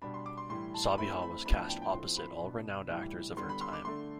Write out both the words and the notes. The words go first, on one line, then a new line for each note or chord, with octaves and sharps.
Sabiha was cast opposite all renowned actors of her time.
B2 G3 D4 B5
C6
D6
C6
A2 E3 G3 C6
A5
E3 A3 C4 B5
B5
A2 F3 B3 D4 B5
A5
G5
G5
A2 F3 A3 C4 C6
B5
B2 B3 D4
A2 E3 G3
D3 G3 B3 C6
B5
C6
D6
D3 A3 D4 C6